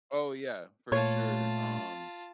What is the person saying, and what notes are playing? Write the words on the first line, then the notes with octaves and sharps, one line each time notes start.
Oh, yeah, for sure, um,
A#2 A3 F4 C#5 A5